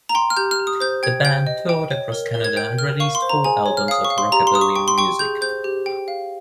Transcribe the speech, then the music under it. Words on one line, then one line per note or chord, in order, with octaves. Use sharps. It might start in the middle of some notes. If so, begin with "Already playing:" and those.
The band toured across Canada and released four albums of rockabilly music.
A#5
G5 C6
F6
G4 G6
F6
G4
D#6
C5 G6
G5 G#6
G5 G6
D#5
G5
C#5
A#4
A#4
G#6
G5 G6
A#4 F6
F5 C#6
C6
C5
A#5
G#4 G#5
C#5
F6
F5 D#6
C#6
F5
C6
G4 A#5
C6
G4 D#6
C#6
G5 C#6
C6
G5 C#6
G#4 G6
C5 G6
G4
G5
F5